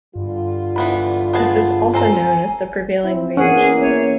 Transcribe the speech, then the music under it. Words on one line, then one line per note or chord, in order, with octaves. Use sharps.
This is also known as the prevailing wage.
G2 D3 G3 F4
E3 B3 B5
B3 G#4 A5
C4 A4 G#5 A#5
C4 E4
E2 A#3 C#4 G#4 F#5
C#5 E5